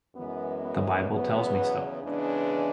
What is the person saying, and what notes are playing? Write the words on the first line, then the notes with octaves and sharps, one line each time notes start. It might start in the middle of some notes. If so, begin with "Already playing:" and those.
The bible tells me so.
F#2 E3 G#3 B3
B3
E2 C#3 F#3 B3
E2 C#3 E3 G#3 D4